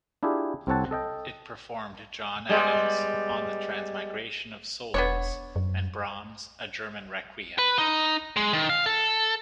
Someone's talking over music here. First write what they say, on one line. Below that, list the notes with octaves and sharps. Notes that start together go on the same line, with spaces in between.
It performed John Adams' On the Transmigration of Souls and Brahms' A German Requiem.
D4 E4 F4 G4 G#4
C2 C4 A4 C#5 F#5 A5
A4 D#5 G5
G3 G#3 B3
E1 B3 D4 C#5
F#2
B4
D#4
G#3
D#3
F5
A4